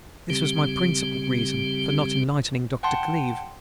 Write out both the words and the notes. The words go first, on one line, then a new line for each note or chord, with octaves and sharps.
This was my principal reason for not enlightening Dr. Cleeve.
C#3 G3 C4 G4
F#5 G5 A5 C6